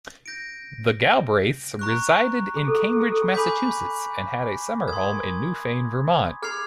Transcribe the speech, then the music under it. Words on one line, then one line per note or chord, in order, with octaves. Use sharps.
The Galbraiths resided in Cambridge, Massachusetts, and had a summer home in Newfane, Vermont.
G6 A#6 D7
A#5 C#6 F#6
G#4
A4
G#4
A4
G#4
A4
G#4
A4 G#5 B5 D6 G6 B6
A#4 C6 D#6 G#6
G#4 F6 G#6 C7 F7